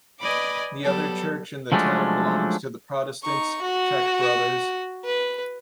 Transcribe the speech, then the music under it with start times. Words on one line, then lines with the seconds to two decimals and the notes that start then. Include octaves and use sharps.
The other church in the town belongs to the Protestants, Czech Brothers.
0.20 B4 D5 D#5 G#5 B5 D6
0.81 F#3 G3 B3 A4
1.72 F3 F#3 G#3 A3 C#4 D4
3.24 D#4 C#6
3.62 F#4
5.05 B4